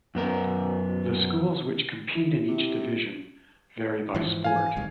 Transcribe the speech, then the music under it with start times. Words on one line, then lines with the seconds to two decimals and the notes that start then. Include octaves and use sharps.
The schools which compete in each division vary by sport.
0.15 F#2 B3 A#4
2.15 E4
2.48 C3
4.15 G#2 E3 F3
4.44 F5 G#5
4.77 D#1 C2 G#2